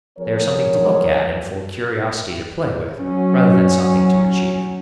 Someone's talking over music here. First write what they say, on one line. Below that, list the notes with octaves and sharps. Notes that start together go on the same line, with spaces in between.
They are something to look at and for curiosity to play with rather than something to achieve.
F3 B3 G#4 A#4 C#5
F#3 C#4